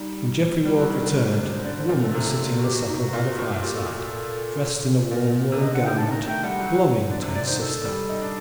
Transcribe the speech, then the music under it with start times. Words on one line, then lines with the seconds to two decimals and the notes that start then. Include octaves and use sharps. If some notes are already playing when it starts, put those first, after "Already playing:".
When Geoffrey Ward returned, the woman was sitting in a settle by the fireside, dressed in a warm woolen garment belonging to his sister.
Already playing: G3 D#4
0.65 G3
0.78 F#3
0.90 D#3
1.02 D3
1.15 F#4
1.28 G4
1.39 G4
1.52 C5
1.64 D3 D5
1.77 C5
1.89 A#2 A#4
2.02 A4
2.14 C3
2.58 F#4
2.64 G4
2.75 F#4
2.88 D#4
3.00 F#4
3.13 A#2
3.38 A2
3.63 A#2 G4
3.75 A4
3.88 F#4
4.00 A4
5.11 A#2 A#4
5.52 C3
5.61 D3 D#5
5.74 D3 F#5
5.86 D#3 G5
5.98 D#3 A5
6.11 D#3 A#5
6.27 A3 G5
6.43 G3 F#5
6.60 F#3
7.10 D3 D5
7.22 C3
7.34 D3 D5
7.47 D#3 C5
7.59 D#3 A4
7.85 G3
8.09 D#4
8.22 D4